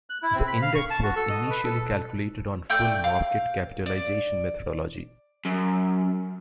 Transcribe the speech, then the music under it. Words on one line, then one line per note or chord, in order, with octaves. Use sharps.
The index was initially calculated on full market capitalisation methodology.
F#6
E4
C4
B5
F5
C#6
A5
F#4
A4
D#5
B4
A4
A3 D5 G5 G6
F5
D5
F#2